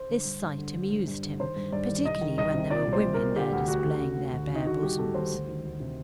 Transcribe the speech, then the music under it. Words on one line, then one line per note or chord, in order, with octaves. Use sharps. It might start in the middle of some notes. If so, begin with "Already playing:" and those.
This sight amused him, particularly when there were women there displaying their bare bosoms.
Already playing: C5
D3
G2
G2
D3
D3
G2
G2
D3
D#3 C5
G2
G2 D5
D#3
C2 D#5
D#3
C2 D#5
C3
A#2 D5
C2
C5
C2
A#4
A#2
D3 G4
D2
D2 F#4
D3
D3
D2
D2
D3
D#4
D#3 F#4
G2 G4
G2 A4
D#3 C5
D2
D#3
D2
C3